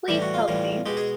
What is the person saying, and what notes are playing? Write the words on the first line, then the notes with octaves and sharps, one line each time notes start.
Please help me.
A2 E3 G3 G4
F#4
F4
A2 E3 G3
B2 G#3 G4
G#4